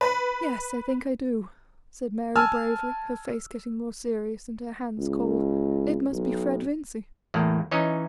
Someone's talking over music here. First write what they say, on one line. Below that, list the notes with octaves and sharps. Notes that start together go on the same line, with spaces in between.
"Yes, I think I do," said Mary, bravely, her face getting more serious, and her hands cold; "it must be Fred Vincy."
B4
G#5 A5 E6 F6
C#2
B1
E2 A2 A3 A#3
E3 C#4 D#4 C#5 D#5